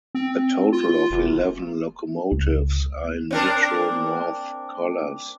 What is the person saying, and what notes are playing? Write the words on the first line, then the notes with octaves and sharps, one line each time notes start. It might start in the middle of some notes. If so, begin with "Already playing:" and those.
A total of eleven locomotives are in Metro-North colors.
C4
F4
F1
C#2
C4 D4 A#4